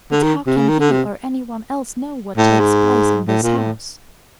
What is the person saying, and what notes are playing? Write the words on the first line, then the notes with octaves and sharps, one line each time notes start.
But how can he or any one else know what takes place in this house?
D3
D#3
C3
C#3
D#3
D3
C3
A2
G#2
A2
A#2
A2